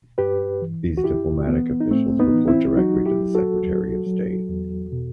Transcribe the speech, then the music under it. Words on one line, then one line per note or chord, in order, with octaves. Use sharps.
These diplomatic officials report directly to the Secretary of State.
G2 G4 B4
E3
F#4
F#2 E4 G4
E3 B3
D#4
A2 A3 C4
B3 D#4
E3
C4 E4
F#3 D#4 F#4
E4 G4
F#3
F#4 A4
F#3
F#3
E2
B2